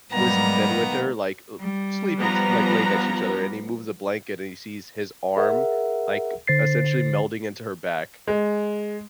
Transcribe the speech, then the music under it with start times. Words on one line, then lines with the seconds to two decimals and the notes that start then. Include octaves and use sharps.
was in bed with her, like, uh, sleeping s like, laying next to each other, and he moves a blanket and he sees his arm, like, essentially melding into her back.
0.13 G#2 B2 D#3 F#3 G3 A#3 B3 A#5
1.58 G3
2.18 F3 B3 A#5
5.37 G#4 A#4 E5 F#5
6.48 D3 C5 A6 C7
8.27 G#3